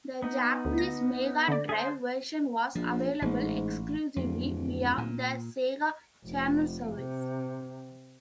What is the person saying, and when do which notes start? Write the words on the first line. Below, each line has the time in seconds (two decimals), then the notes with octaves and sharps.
The Japanese Mega Drive version was available exclusively via the Sega Channel service.
0.22 B3 D#4
0.65 D2
0.78 A#6
1.48 D3 D5
1.69 G#4 C5
2.75 A#1 F3
3.22 A1 G#2
4.16 D1 F2
4.98 A#2
6.25 F1
6.92 C3